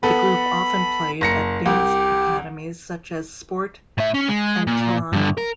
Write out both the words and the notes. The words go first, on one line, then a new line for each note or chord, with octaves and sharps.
The group often played at dance academies such as Sport Antillano.
B3 A4 B5
F#1 A#6 C#7
C2 G4
A2 E5
C#4
G#3
A#2
G2 D3
A#4